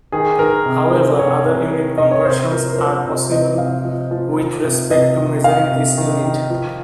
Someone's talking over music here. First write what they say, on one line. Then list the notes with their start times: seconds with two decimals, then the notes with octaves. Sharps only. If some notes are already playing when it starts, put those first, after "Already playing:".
However, other unit conversions are possible with respect to measuring this unit.
0.12 D#3 G#4
0.39 D#3 A#4
0.66 C3
0.93 D#3
1.19 C3 C#5
1.46 C3
1.72 D#3
1.98 C3 D#5
2.11 C#5
2.25 C3 C5
2.52 F3 A#4
2.73 A#4
2.78 F3 C5
3.05 C3
3.31 C3 D#5
3.58 C3 F5
3.85 F3
4.11 F3
4.38 D#3
4.64 C3
4.91 C3 D#5
5.17 D#3
5.44 D#3 F5
5.71 C3
5.97 D#3
6.24 D#3
6.50 F3